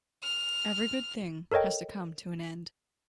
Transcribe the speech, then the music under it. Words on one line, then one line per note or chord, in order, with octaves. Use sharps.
Every good thing has to come to an end.
F6
A4 A#4 C#5 D#5 G5